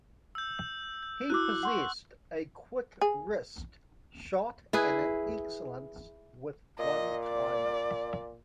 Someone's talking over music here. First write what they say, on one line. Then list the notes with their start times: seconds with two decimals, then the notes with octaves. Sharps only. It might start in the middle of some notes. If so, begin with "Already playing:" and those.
He possessed a quick wrist shot and an excellence with one-timers.
0.35 E6 G6
1.03 G6
1.30 E4 F#4 D6 E6 F#6
1.63 F#5 C6 C#6
3.01 G#4
4.73 E4 G#4 B4
6.79 A#2 D#5
7.24 D5